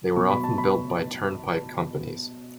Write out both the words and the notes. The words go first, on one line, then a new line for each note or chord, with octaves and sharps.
They were often built by turnpike companies.
B2 F#3 C#6
B5
A5
B5